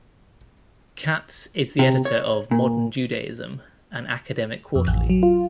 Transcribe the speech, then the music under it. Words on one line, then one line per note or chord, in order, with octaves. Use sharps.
Katz is the editor of "Modern Judaism", an academic quarterly.
C3
C#5
A#2
F2
A1
F#3
F4